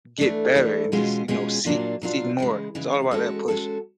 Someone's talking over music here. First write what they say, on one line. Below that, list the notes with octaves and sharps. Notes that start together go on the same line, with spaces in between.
get better, and just, you know, seek seek more. It's all about that push.
E3 A3 D4
E3 A3 D4
B2 G#3 C#4 F4 G#4
B2 G#3 C#4 F4 G#4
A#2 F#3 A#3 D4 F4
A#2 F#3 A#3 D4 F4
C#3 E3 G#3
C#3 E3 G#3
G#3 C#4 F#4 A4
G#3 C#4 F#4 A4